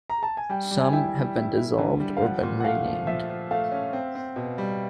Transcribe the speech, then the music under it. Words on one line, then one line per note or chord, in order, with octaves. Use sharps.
Some have been dissolved or been renamed.
A#5
A5
G#5
G3 G5
G3
G#5
E4 G5
G3
E4
E4
D3
G3
F5
F3 F#5
A#2
F#5
A3 F5
F3
F3 E5
F3
A3 F5
C#4
C4
C4
B2
G3